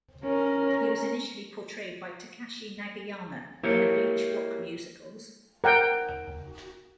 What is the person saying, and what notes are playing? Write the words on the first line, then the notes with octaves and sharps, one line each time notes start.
He was initially portrayed by Takashi Nagayama in the "Bleach" rock musicals.
C#4 A#4
A#3 E4 G4 C#5
A#4 F#5 G5